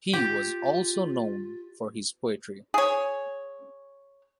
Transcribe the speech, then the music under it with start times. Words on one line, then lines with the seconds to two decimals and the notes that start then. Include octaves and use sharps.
He was also known for his poetry.
0.13 F4 G4
2.74 G#4 C#5